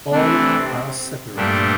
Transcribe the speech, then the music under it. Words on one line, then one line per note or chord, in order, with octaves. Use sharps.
All are separated.
C3 E3 A3 C4 D4
G2 A#2 G3 A3 D4 G4 A#4